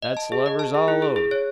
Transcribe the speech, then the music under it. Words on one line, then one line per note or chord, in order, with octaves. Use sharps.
That's lovers all over.
D#5
A5
G#4
D#5
A5
G#4
E4
G#4
G#4
C#5